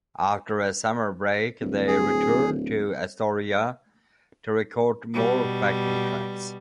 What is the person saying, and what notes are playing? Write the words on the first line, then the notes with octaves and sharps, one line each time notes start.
After a summer break, they returned to "Astoria" to record more backing tracks.
D1
G#4
B2 G3